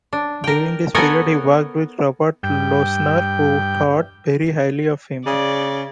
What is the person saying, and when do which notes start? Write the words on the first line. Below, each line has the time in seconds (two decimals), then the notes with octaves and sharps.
During this period he worked with Robert Lochner, who thought very highly of him.
0.13 D4
0.44 A#4 G5
0.95 B3 A4 A#4 C#5 F#5 G#5
2.43 G2 G5
5.26 C#3 D5